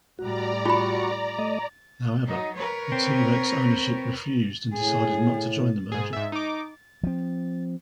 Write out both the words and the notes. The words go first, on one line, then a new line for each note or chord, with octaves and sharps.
However, the T-Rex ownership refused and decided not to join the merger.
A2 G3 F#4 D5 A#5
F4 F#4 B5 C#6
A3 D#5
F#3 D#4
A#4 B4 C#5
C4
A2 G#4
G#2 G#4
G#2 E5
D#4 D6
F3 C4